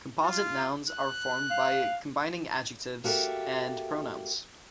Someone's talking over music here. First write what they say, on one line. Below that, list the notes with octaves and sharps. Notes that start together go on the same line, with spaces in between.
Composite nouns are formed by combining adjectives and pronouns.
F4
F#6
F5
A#3 F#4 G4 A4 E5